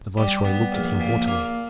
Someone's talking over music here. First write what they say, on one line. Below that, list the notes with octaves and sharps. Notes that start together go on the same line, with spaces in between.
The viceroy looked at him haughtily.
G3
B3
A#1
A#2
A#3